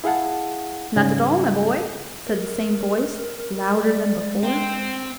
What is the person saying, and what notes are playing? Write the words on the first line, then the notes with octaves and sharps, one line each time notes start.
"Not at all, my boy," said the same voice, louder than before.
E4 G#4 F5 F#5 A5
G#2 C#3 G3
A#4
G#3 D5
C4 G5